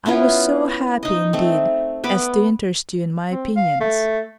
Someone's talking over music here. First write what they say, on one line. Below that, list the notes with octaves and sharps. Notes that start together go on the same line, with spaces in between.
I was so happy indeed as to interest you in my opinions....
B3 C#4 E4 F4
D#4 D#5
A3 C4
B3 B5 D6
C4
F5
A3